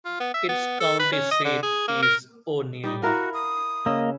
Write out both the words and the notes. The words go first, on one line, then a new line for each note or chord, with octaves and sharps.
Its county seat is O'Neill.
F4
B3
E5
B3
A4
B4
C#4
D#5
D3
G#4
A#3
A#4
G3 D#4
E4 F#4 A#4 F5 F#5 A#5
D#6
C#3 A#3 C#4 D#5 E6